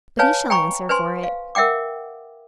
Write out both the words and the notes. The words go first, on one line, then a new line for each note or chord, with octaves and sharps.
'But he shall answer for it.
B4 C#5 F5 G#5 A5
G5 G#5 A#5 B5 C#6
B4 C5 G#5 C6
F5
A#4 E5 F#5 G5 D6